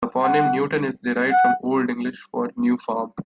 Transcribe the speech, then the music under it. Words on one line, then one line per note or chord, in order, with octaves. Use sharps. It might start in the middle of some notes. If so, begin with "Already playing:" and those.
The toponym "Newton" is derived from the Old English for "new farm".
F#5
F#5